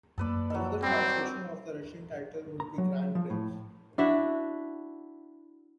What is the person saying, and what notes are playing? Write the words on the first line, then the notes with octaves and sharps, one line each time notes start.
Another translation of the Russian title would be grand prince.
F#2 A#3 A4 B4 D5
F#3 A4
F#3 G3 C4
A#5
F#3
F3
A2
D4 E4 F#4 E5